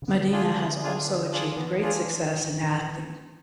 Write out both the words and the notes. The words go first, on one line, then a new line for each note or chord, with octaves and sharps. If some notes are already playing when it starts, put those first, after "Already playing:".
Madina has also achieved great success in acting.
C#3
D3 B3
D4 F4 G#4
B3
D4 F4 G#4
B3
D4 F4 G#4
E3 B3
D4 F4 G#4